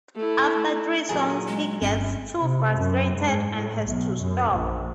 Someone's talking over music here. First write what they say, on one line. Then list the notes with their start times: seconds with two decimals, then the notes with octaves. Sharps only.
After three songs he gets too frustrated and has to stop.
0.15 A3 E4
1.09 A#2 F#3 G#4 A6
1.48 G#3
1.82 G1 C4 C#4
2.41 C3
2.78 F#2
3.18 G#2
3.54 A2
3.84 B1
4.22 F#2
4.55 A#1